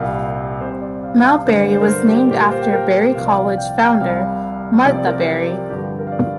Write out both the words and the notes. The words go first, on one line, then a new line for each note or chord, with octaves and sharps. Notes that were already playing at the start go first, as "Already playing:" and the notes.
Mount Berry was named after Berry College founder Martha Berry.
Already playing: C2 A#2 G3 F5
C3 G3 C4 C5
C5
D5
F5
F5
G2 D3 G3 A#3 C5
D5
C5
A#4
C5
G4
A#2 A#3 F4 G4
A#4
C5
G5
A#4
C2 C3 F3 F5
D5
F5
D5
G5
F5
G5
F5
C2 C3 G3 F5
C3 F3 C4 D5
D5
A#4
G4
G2 D3 F3 G4
G4
A#4
F5
D5